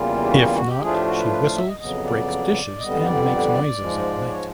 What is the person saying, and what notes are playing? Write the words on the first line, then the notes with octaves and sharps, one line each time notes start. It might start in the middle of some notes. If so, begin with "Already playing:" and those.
If not, she whistles, breaks dishes, and makes noises at night.
Already playing: E2 C#3 E3 G3 A#3 F4
G4
F#4
F4
F#4
G4
A2 F3 A3 D4 F4 G#4
G4
F#4
B4
B4
F5
E5
D#5
F2 C#3 F#3 B3 D#5
D5
F2 D3 G3 B3 D#5
D5
G#2 F3 G#3
C#5